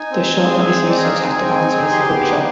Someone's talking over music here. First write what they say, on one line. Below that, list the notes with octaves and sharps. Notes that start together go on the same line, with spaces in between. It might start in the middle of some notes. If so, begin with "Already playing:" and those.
The shot that is used to attack the bouncer is the hook shot.
Already playing: D#4 G#5
C4
C4
G#4
C4
D#4
D5
D#5
G#4 F5
G5
C4 G#5
C4
G5
D#4 G#5
G#4
G4 C6
B3
D6
D#4 C6